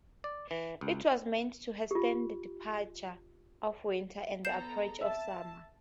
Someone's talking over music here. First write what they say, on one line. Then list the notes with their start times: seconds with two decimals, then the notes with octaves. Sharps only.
It was meant to hasten the departure of winter and the approach of summer.
0.24 D5
0.51 E3
0.81 C#2
1.91 F4 G4
4.45 B3 A4 A#5 G6 C7 E7
5.01 E5 A5